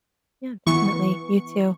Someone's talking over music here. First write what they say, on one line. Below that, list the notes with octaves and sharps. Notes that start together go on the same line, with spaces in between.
Yeah, definitely, you too.
E3 B3 C#6